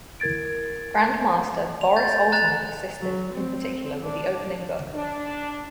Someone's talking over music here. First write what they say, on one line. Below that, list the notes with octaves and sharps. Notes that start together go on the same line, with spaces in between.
Grandmaster Boris Alterman assisted, in particular with the opening book.
E4 A#4 G#6 A6 D7
F7
G6 A6
A#5 F#6 A6 F7
F#3
C4
D4
D4